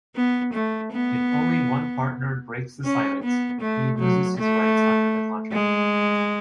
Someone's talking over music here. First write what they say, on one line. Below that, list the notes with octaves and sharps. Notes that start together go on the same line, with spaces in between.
If only one partner breaks the silence, he loses his rights under the contract.
B3
A3
B3
C#4
B3
A3
F#3
A3
G#3